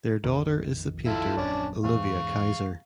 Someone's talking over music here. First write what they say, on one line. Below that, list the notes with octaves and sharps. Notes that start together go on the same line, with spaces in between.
Their daughter is the painter Olivia Kaiser.
A#1 F2 D#3
E4 F4 A4
D#1 A#1 F#2 C#4 D4
E2 G#2 E3 F5 C#6